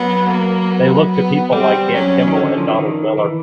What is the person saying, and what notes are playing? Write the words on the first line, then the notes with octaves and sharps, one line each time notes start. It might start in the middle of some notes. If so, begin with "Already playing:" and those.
They look to people like Dan Kimball and Donald Miller.
Already playing: F#3 B3
A#3
B3
B3
G3 C4
F#3 C#4
D#3
D3
F3
E3
D#3
E3